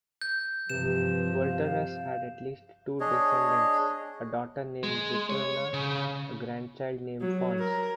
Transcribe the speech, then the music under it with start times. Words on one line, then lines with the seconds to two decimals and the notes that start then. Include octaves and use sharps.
Volturnus had at least two descendants, a daughter named Juturna, a grandchild named Fons.
0.21 G6
0.70 G2 C3 F3 B4 E7
1.42 F5
3.00 D4 G#4 C#5 D#5
4.83 G#3
5.30 C#5
5.73 C#3
7.21 F#3
7.59 A#4